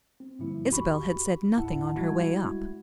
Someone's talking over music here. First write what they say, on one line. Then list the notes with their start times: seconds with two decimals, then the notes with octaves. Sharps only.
Isabel had said nothing on her way up.
0.20 C4
0.39 G#2 D3 F3 G3 A#3 E4
0.70 D#2 F#4 G4 B5 C#6
1.55 G#1 D#2 A2 E4 F#5 A5
1.96 A1 G3 G#3 E4 F#4 G#6